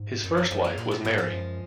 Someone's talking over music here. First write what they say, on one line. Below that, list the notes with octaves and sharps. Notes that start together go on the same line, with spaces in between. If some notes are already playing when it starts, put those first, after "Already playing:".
His first wife was Mary.
Already playing: G#2
F#2 B2 D#3
D#3 F#3
F#2 F3 G#3
F#3 A#3
A#2 A#3 D4
G#3 B3
G#2 F#3 A#3
F3 G#3
F#2